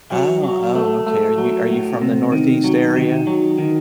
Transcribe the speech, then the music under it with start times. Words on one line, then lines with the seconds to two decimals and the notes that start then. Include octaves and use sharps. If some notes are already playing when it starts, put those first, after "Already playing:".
Oh, oh, okay. Are you are you from the Northeast area?
0.12 F#3
0.44 F#3
0.75 A3
1.07 A3
1.38 F#3
1.69 A2
2.02 C3
2.32 D#3
2.64 F#3
2.96 D#3
3.27 F#3
3.58 D#3